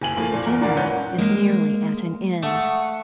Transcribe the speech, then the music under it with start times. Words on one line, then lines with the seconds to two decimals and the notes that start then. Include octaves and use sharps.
The dinner is nearly at an end.
0.01 F#1 G#5 F#7
0.17 A2 F3 A#3
0.33 A#2
0.46 E2 A#4
0.61 G2 A#2 A#3 A#4 D5 F#5
0.75 G#2 C#4 B4 F#5 G6
1.18 G#3 A#3
2.42 A3 F#5 C#6 D#6